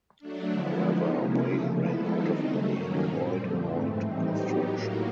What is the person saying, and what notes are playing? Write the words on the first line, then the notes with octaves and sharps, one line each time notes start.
However, Wayne ran out of money and called a halt to construction.
F#3 A3 D4
D3 F3 G#3 B3 E4
F3 G#3 B3 D#4
C3 F3 A#3 C#4 E4
C#3 F3 A3
F3 G#3 B3 E4 A4
D#3 G3 C4 D#4
C#3 F#3 A3
G2 D#3 F#3 A#3 C#4
A#2 G3 C4
F2 D3 F3 A3
G#2 E3 A3 C4
A2 E3 G3 C4 D#4
F#3 B3 D#4 G4
A2 F#3 A#3